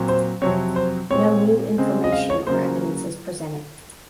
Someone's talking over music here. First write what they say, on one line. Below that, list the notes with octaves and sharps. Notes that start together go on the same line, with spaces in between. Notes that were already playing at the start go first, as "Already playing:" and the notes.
No new information or evidence is presented.
Already playing: A#2 F#3 C4
C5
F2 C3 F#3 C4 C#5
C5
A#2 G#3 C4 C#5
C#3 G#3 C4
D#5
F5
C#5
C#3 F#3 A#3 C5